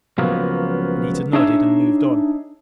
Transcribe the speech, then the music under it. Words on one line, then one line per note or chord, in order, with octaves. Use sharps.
Anita nodded and moved on.
C#2 F3 F#3 A#3 B3
D4 D#4 G#4 C#5 E5